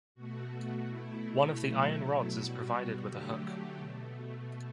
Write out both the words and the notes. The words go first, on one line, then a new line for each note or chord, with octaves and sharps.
One of the iron rods is provided with a hook.
B2 A3 F#4
B2 A3 E4
B2 F#3 A3 E4
B2 G3 F#4
D3 F#3 A3 G4
B2 A3